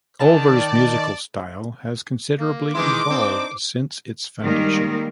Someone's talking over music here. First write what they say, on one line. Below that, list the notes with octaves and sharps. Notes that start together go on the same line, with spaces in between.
Ulver’s musical style has considerably evolved since its foundation.
D#3 D5 A5
A#3
D#3 E3 G#3 E4 C6 D6
C4 D4 D#4 C5
D#3 G3 G#3 A#3 A#4